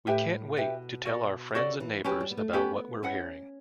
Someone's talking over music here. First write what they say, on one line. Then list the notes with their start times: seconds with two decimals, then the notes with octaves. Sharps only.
We can't wait to tell our friends and neighbors about what we're hearing.
0.07 A2 G4 B4 E5 G5
0.57 B2 G4 B4 E5 G5
1.05 F#4 A4 D5
1.55 C#3 F#4 A4 D5
1.80 E3
2.04 F#3 C#4 G4 B4
2.20 G3
2.31 B3
2.37 A3
2.53 B3 C#4 G4 B4
3.03 C#4 E4 B4 F#5